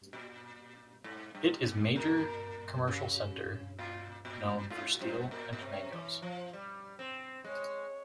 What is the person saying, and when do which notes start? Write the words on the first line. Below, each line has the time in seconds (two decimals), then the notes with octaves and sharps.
It is major commercial center known for steel and mangos.
0.13 A#2
1.04 G#2
1.35 G2
1.65 G#2
1.96 A#2 A#4
2.88 C#3
3.79 A#2 F4
4.25 A#2
4.70 G#2 F4
5.01 G2 C5
5.31 A#2 A#4
5.53 A#2
5.62 C3 C#5
5.93 E3
6.22 F3
6.53 G3
6.99 C4
7.44 G#3 C#5